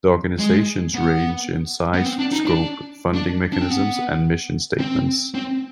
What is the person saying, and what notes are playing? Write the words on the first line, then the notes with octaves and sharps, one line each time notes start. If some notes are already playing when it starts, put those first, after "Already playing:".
The organizations range in size, scope, funding mechanisms, and mission statements.
G#3
B3
B3
C4
D4
D#4
D4
D4
D4
C4
B3
C4
C4